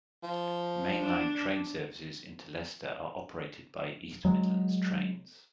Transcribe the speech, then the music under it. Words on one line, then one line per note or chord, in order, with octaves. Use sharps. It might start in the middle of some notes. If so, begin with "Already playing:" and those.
Main line train services into Leicester are operated by East Midlands Trains.
F3
D4
F#3 G#3